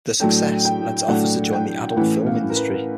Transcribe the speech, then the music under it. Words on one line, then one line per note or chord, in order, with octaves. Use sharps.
Their success led to offers to join the adult film industry.
A2 F#3 A3 D4 G5
G5
A2 F#3 A3 D4 F#5
G5
A2 E3 A3 C#4 F#5
F5
A#4
B4